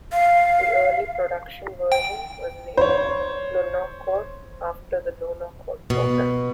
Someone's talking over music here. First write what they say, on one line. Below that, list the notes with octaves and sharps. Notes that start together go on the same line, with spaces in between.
The early production version was named "Lunokhod" after the Lunokhod programme.
F5
G5
C5 C#5
B2